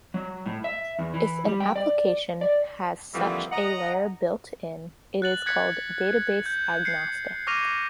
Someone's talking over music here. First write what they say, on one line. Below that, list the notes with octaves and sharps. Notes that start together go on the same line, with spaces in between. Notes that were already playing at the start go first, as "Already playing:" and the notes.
If an application has such a layer built in, it is called database-agnostic.
F#3
A2
E5
E2
E3
G3
G5
D5
D5
D3 E3 F3 G3 A#3 C4
D#5 F#5 A#5
F#6 A6 F#7
F#6 G#6 A6 B6 C#7
G6
C7 C#7
C#6 D6 F6 A#6 D#7 F7